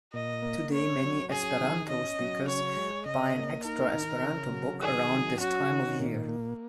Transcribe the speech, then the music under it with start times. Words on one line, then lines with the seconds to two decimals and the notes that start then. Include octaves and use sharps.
Today, many Esperanto speakers buy an extra Esperanto book around this time of year.
0.13 A#2 D#5
0.42 A#3
0.71 C#4 C#5
1.02 F#3
1.30 C#4 G#4
1.60 D#3
1.89 C#4 D#5
2.19 F#3
2.47 C#3 C#5
2.76 G#3
3.06 C#3 D#5
3.36 A#3
3.64 D#4 A#4
3.94 D#3
4.23 C#3
4.52 F#3
4.82 D#3 G#4
5.11 F#3
5.40 C#4 F#4
5.70 D#3
5.99 A#2
6.28 A#3